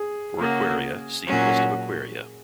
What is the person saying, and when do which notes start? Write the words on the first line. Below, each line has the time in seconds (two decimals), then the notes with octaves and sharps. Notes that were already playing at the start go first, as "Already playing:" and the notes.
For aquaria, see List of aquaria.
Already playing: G#4
0.38 C#3 A#3 C#4 F#4
1.27 A#2 F#3 C#4 F#4